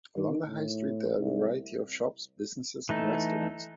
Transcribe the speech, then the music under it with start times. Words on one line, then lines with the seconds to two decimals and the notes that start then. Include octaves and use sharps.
Along the High Street there are a variety of shops, businesses, and restaurants.
0.17 D#3
0.47 A2
1.20 C2
2.89 E3 A3 D#4